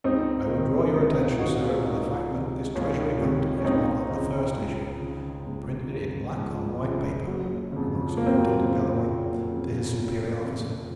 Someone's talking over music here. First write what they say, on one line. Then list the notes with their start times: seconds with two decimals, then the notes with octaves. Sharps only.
"I would draw your attention, sir, to the fact that this Treasury note is one of the first issue--printed in black on white paper," remarked Superintendent Galloway to his superior officer.
0.04 C#2 C4 D#4
0.50 C3 D#3
0.94 C#2 C4 D#4
1.17 C#4 F4
1.39 C3 D#3 D#4 F#4
1.62 F4 G#4
1.74 G#4
1.84 C#2 D#4 F#4
2.30 C3 D#3
2.75 C#2 C#4 F4
3.21 C3 D#3
3.58 C#4
3.65 C#2 C4 D#4
4.10 C#3
4.56 C#2
5.01 C#3
5.46 C#2
5.91 C#3
6.36 C#2 F3
6.81 C#3
7.27 F#1 F#3
7.72 F2 C#3
8.16 F#1 A#3
8.26 C4
8.37 F#3 A#3
8.61 F2 C#3
9.07 F#1
9.52 F2 C#3
9.97 F#1
10.42 F2 C#3